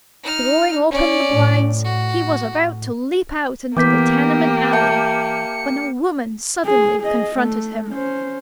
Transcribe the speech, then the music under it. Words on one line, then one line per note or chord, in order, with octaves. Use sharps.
Throwing open the blinds, he was about to leap out into the tenement alley when a woman suddenly confronted him.
D#4 F6
C#4 D5
A2
F#4
A2
E3 A#3 B3 G4 D6 G6 B6
E5 A5 G6 C#7
G#4
G#4 D#5
A3
C#4 C5